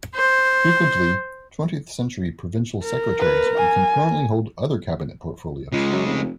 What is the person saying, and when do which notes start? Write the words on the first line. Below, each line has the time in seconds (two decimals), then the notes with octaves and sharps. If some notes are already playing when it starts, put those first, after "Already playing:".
Frequently, twentieth-century Provincial Secretaries would concurrently hold other cabinet portfolios.
0.15 C5
2.84 A#4
3.19 B4
3.58 G#5
5.72 C#2 C#3 G#3
5.92 F#2
6.06 F1